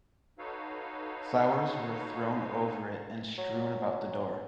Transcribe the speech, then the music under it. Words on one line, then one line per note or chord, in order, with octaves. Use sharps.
Flowers were thrown over it and strewn about the door.
D#4 F#4 A4 B4 C#5 F5
F#3